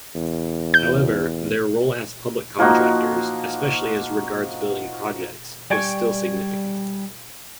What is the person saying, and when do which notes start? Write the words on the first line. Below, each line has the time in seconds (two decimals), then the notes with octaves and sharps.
However, their role as public contractors, especially as regards building projects, was still significant.
0.15 E2
0.74 G6
2.59 F3 A#3 D#4 F#4
5.70 G3 D5 G5 G#5 C#6